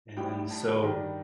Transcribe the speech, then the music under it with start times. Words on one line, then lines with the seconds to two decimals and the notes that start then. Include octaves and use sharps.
and so
0.17 A1 A2 G3 G5
0.51 A5
0.83 G2 D#3 G3 D4